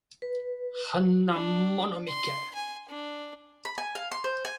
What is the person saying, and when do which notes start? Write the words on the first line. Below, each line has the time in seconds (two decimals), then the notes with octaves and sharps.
Hen na Mono Mikke!
0.22 B4
1.33 D4
2.08 C6
2.55 G#5
2.88 D4
3.65 B5
3.78 G#5
3.95 F5
4.12 C6
4.24 C5
4.45 G#5